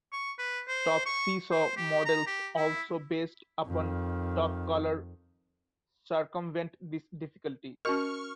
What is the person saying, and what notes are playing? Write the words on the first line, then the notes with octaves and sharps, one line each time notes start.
"Top Seesaw" models, also based upon Topcolor, circumvent this difficulty.
C#6
B4
C5
C#6
C5
G4
A#5
G4
E4
F2 D#3
C#4 F#4 A#4 D#5 C#6 F6